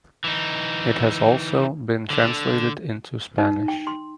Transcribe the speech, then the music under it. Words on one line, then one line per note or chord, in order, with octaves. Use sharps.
It has also been translated into Spanish.
E3 D#4
D3
D#4
G5
C6